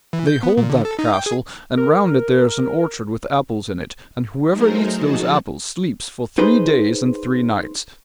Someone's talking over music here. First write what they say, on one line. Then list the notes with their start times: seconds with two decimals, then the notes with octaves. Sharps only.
They hold that castle, and round it there is an orchard with apples in it, and whoever eats those apples sleeps for three days and three nights.
0.13 E3
0.27 G6
0.43 B3
0.57 A#2
0.70 D3
0.85 A4
0.99 D#4
1.13 G5
1.26 G#4
1.77 A#4
4.50 F#3 A3 D#4 G#4 A#4 C5
4.96 F3 D#4 F#4 G#4 A5
6.38 D#4 G#4 B4 C5